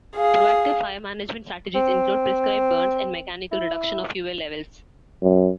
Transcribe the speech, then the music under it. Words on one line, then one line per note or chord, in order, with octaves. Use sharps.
Proactive fire management strategies include prescribed burns and mechanical reduction of fuel levels.
G#4 F5
C4
E4
F#2